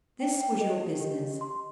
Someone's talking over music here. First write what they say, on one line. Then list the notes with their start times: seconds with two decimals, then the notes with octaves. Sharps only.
This was your business!
0.20 G5
0.41 G5
0.61 D#5
0.80 G4
1.01 G4
1.21 D#5
1.41 C6